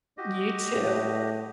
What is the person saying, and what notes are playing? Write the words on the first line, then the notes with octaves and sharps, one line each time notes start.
You too.
F#4 G4 D#5
A2